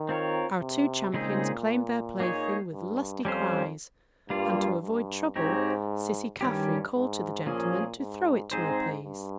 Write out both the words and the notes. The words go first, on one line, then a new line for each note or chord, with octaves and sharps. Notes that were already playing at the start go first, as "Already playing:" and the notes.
Our two champions claimed their plaything with lusty cries and to avoid trouble Cissy Caffrey called to the gentleman to throw it to her please.
Already playing: D#3
C4 F4 A#4 C#5
C3
A#2 C#3 G#3 C4 D#4 G#4
A#3 D#4 G#4 C#5
G2
F2 G3 C#4 F4 C5
G2 G3 A#3 F4
G2
G#2 C4 D#4 G4 C#5
G2 D#3 G3 C#4 G4
G#2
A#2 F3 A#3 C#4 G#4
G#2
G#2 C4 D#4 G#4 C5
G2